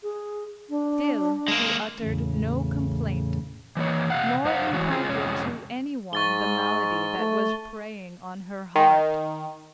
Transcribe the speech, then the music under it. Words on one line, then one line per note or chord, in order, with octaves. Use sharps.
Still she uttered no complaint nor imparted to any one the malady that was preying on her heart.
G#4
D4
G#3 A#3
E2 A2 C#3
E3 A#3 C#5
C3 F5 F#5
F#2 C5 F5 F#5
A2 E3 G#3 F#4 C#5
C#4 F4 G#4
F2 C3 G#3 C#4 G#4 C#5
G#2 C#6 A6 G7
A3
D#3